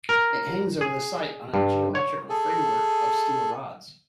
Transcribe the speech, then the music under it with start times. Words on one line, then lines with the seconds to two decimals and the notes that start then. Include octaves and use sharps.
It hangs over the site on a geometrical framework of steel rods.
0.09 A#4
0.81 G#4
1.54 G2
1.95 C#5
2.29 G#4 A4